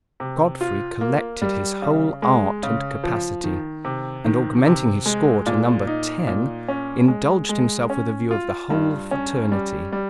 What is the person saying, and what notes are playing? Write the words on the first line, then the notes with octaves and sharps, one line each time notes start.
Godfrey collected his whole art and capacity, and, augmenting his score to number ten, indulged himself with a view of the whole fraternity.
C3
F4
A#3
G3
C#3
G#3
C#3
F3
D#3
C3
D#3
C3
G#3
A#2
D#4
A#2
C#4
G#3
G#3
C#4
F4
G2
C#4
G3
G3